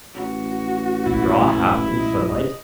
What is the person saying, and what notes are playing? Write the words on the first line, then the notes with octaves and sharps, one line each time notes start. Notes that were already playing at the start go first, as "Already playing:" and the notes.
Straw hat in sunlight.
A1 F#4
B1 A#2 E4
D#5